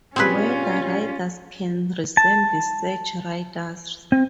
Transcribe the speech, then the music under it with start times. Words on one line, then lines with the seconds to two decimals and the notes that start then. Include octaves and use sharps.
Weather radars can resemble search radars.
0.16 A#2 G3 C4 C#4 F4 G#4 B4
2.17 A5
4.12 C4